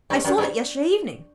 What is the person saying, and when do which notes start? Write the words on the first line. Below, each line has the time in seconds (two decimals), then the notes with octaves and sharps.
I sold it yesterday evening.'
0.10 G2
0.24 F#2
0.38 G2